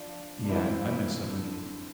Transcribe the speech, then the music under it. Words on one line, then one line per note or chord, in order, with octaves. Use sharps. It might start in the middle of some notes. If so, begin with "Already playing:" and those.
Yeah, I I miss him and
Already playing: F3 D4 F4
D4
E3 C4 E4
E3
D3